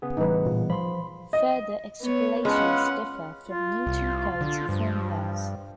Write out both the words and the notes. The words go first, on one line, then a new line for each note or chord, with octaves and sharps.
Further extrapolations differ from Newton Cotes formulas.
C#3 B3 G#4
A2 E3 G3 D#4 B4
A#2
F3 B5 C6
D#5
B3 C#5
G#3 C#4 F4 B4 F5 F#5
F4
C2
D3
G2 F3